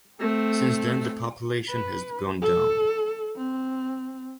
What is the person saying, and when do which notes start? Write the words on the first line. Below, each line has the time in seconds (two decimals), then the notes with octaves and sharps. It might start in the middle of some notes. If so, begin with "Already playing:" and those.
Since then, the population has gone down.
0.20 A3 C4
1.69 B4
2.42 A4
3.36 C4